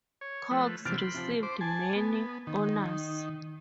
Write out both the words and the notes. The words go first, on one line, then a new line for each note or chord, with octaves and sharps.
Cox received many honours.
C#5
F3 A3 B4
C3 E3 F3 F6 A6 D7
B5 C6
C3 F3
C5 D6
G#5 A5
B3
D#3